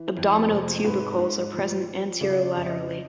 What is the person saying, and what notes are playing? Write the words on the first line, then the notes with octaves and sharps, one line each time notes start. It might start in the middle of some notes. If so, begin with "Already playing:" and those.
Abdominal tubercles are present anterolaterally.
Already playing: E3
F2
C3
G#2 B4
G#2
F3
F3
C#3 D5
D5
F2
E5
D#5